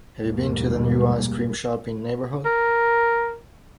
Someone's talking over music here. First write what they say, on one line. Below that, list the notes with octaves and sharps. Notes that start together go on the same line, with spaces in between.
Have you been to the new ice cream shop in neighborhood?
F1 D#2 G#2 B2 G3 A#3
A#4